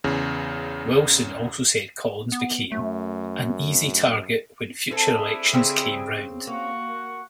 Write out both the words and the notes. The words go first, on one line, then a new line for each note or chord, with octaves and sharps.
Wilson also said Collins became "an easy target when future elections came round".
E2 C#3
B3
F#2 A3
C4 D4 E4 G#4 A4
C#3 C4 G4
A#3 F#4 F#5 C#6